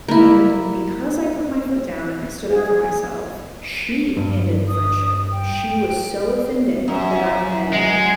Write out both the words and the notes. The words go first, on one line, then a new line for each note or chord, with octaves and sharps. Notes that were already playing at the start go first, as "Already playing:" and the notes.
And because I put my foot down and I stood up for myself, she ended the friendship. She was so offended that I had
A#3 E4
G#4
G2
D#6
G5
F#2
G#3